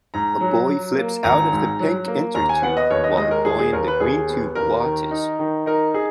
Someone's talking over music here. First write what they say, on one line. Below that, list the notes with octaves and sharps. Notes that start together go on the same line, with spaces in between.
A boy flips out of the pink intertube while a boy in the green tube watches.
G#2 A#5
F#3
F#3
A#3
G#1 A#5
G#2
F#3
A#3
D#2 A#5
G#5
B3 F#5
D#5
D#2 C#5
D#5
G#3 D#5
A#4
D#2 G#4
G#4
D#2 A#4
B4
D#2 G#4
B3
D#2 A#4
D#3
D#4
D#3
D#4 A#4
G#4